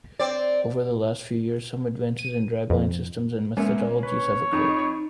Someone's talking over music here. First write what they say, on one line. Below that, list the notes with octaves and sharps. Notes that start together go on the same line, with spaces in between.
Over the last few years, some advances in dragline systems and methodologies have occurred.
C4 D5
D#7
F2
G#3 A#3 B3 C#4 E5
B4 C#5
F2 D#4